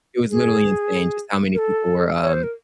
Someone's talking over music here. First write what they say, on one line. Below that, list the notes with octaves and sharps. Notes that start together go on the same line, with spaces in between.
it was literally insane just how many people were, um,
G#4
A#4
A4
C#5
C5
A#4